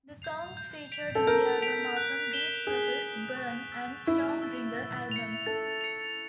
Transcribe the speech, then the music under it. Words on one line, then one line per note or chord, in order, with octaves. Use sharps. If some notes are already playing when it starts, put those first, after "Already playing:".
The songs featured on the album are from Deep Purple's "Burn" and "Stormbringer" albums.
G6 C7 F7
G6
B6 D7 F7
A4
A#4 G6
B6 D7 F7
F#6
B6 E7 G7
G#4 F#6
B6 E7 G7
C#6
E6 A6
E4 C#6
E6 A6
A6
C#7 F7
A4 A6
C#7 F7